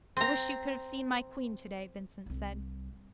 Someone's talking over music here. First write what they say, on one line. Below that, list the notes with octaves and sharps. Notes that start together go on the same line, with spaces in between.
I wish you could have seen my queen today, Vincent said.
C4 A#5
C2 G3